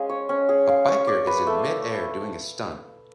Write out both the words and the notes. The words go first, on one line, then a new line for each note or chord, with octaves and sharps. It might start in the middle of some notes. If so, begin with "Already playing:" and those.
A biker is in midair doing a stunt.
Already playing: G#3 C#4 G#4 F5
C#5
C#4
G#4
F5
C#5
D5
B4
A3